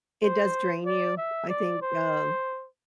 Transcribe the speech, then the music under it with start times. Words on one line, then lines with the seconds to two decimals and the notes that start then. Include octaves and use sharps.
It does drain you, I think, um,
0.23 C5
0.86 D5
1.18 E5
1.49 D5
1.82 C5